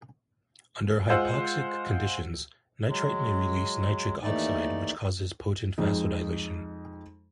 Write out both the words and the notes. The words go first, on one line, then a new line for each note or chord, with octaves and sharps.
Under hypoxic conditions, nitrite may release nitric oxide, which causes potent vasodilation.
G#3 F4 C5 F5 F#5 E6
F#3 G#3
D#2 E3 A3 D#4 D5
F2 G#3 D#4